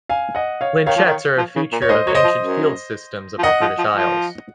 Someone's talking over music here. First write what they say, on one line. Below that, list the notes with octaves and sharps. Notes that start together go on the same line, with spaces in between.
Lynchets are a feature of ancient field systems of the British Isles.
F5 G#5
D#5 F#5
C#5 F5
D#3 C#5 F5
F3
D#3
F3
C#3
A#2
C#5
G#2 C5 D#5
F#3 C#5
C5 D#5
F3
F#2
F3
D#3 D#5 F#5
F3
F3
F3